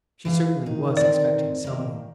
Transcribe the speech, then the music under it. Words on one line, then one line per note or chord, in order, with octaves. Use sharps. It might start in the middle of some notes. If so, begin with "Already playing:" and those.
She certainly was expecting some one.
E3 G#4 F5
D#3 D#4
D3 C4 D5
D#3 A#3